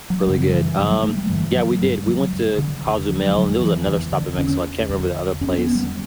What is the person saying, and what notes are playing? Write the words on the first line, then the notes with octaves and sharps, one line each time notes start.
really good. Um, yeah, we did. We went to Cozumel, and there was another stop in Mexico, I can't remember the other place.
F#3
F#2 C#3 G3
E3
G2 D3 F#3
G3
A3
G3
G2 D3 E3
F#3
G2 D3 G3
F#3
G2 D3
D3
E2 D3
F#3
G3
E2 D3 F#3
E3
E2 D3 E3
D3
E2 D3 C#4
E2 D3
E2 D3 C#4
B3
G3